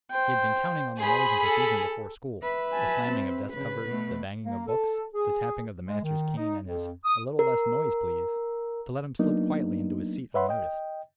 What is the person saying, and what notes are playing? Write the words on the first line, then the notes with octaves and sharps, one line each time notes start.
He had been counting on the noise and confusion before school,--the slamming of desk covers, the banging of books, the tapping of the master's cane and his "A little less noise, please,"--to let him slip quietly into his seat unnoticed.
C5 G5
G#4 C5 B5
A4
B4 E5
G#5 A5
C4
C#3 B4
B2 A3
A#3
A4
G#4
G#3
D#3
D#4
F2
D#6
A#4
F#3 A#3 B3 D4 D#4
B4 C#5 E5 F#5 B5 C6
D#5 G5